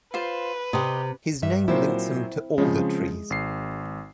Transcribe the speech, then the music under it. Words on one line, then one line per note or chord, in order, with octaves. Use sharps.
His name links him to alder-trees.
F4 B4 C5
C3 G4 D#5
G2 E5
A#2 F#3 C4 E4 C5
C#3 F3 G#3 C4
G#1 C7